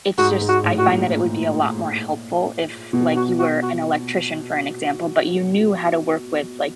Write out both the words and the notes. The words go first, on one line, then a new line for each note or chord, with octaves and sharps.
it's just I find that it would be a lot more helpful if, like, you were an electrician for an example, but you knew how to work with, like,
G#2 F#4
G#2
F#4
A2
F#4
A#2
B2
F#4
F#4
F#4